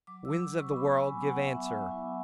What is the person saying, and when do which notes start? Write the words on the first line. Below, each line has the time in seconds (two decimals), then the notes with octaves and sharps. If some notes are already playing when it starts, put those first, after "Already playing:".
Winds of the world, give answer!
0.07 F#3 D6
0.25 E6
0.30 F#3
0.42 D6
0.53 F#3
0.60 C#6
0.76 B3 B5
0.99 F#3 G#5
1.22 B3 F#5
1.45 B3 E5
1.68 F#3
1.91 E4